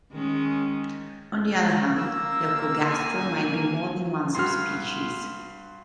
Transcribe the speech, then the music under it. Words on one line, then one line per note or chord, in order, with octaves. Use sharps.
On the other hand, "leucogastra" might be more than one subspecies.
D#3 G#3 C#4
A#3 E6
G#5
G2 F#4 C6 F6